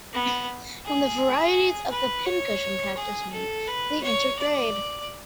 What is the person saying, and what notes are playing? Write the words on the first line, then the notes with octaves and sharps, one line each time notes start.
Where the varieties of the pincushion cactus meet, they intergrade.
B3
G#4
B4
C#5
G#4
A4
B4
C#5
D5